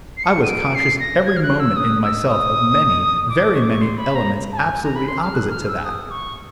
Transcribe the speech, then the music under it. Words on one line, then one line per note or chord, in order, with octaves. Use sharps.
I was conscious every moment in myself of many, very many elements absolutely opposite to that.
C7
C#7
D#7
D7
C7
A#6
G#6
F6
F#6
E6
D#6
E6
D#6
D6
C#6
D6
C#6
C6
B5
A#5
A5
G#5
A#5
B5
C6
F6
F#6
F6
E6
D#6
C#6